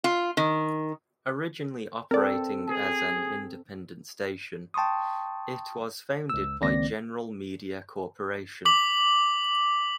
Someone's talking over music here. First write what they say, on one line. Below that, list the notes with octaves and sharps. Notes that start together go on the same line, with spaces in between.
Originally operating as an independent station, it was founded by General Media Corporation.
F4
D#3
C4 A4 A#4 D5
G#4
G5 A5 C6 C#6 D#6
C#2 E6
C#2 D#3 A#3 C4 D5 A#6
D6 B6 F#7